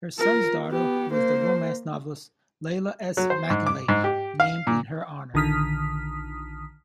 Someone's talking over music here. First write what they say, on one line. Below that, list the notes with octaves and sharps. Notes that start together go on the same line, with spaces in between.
Her son's daughter was the romance novelist Leila S. Mackinlay, named in her honour.
F4 A#4
B3 G4
A#3 C5
F#3
C5
G#2
D6
G#2
G4
F5
A#2
A#1 D3 D#3 D#6 F6 B6